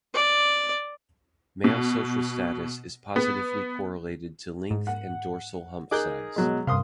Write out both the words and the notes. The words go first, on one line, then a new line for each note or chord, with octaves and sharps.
Male social status is positively correlated to length and dorsal hump size.
D5
B2
B3
G#2
F#5
D#4 G#4 A#4 D6 F#6 G6
B2 F#3 G#3
G2 C3 F5 C6 D#6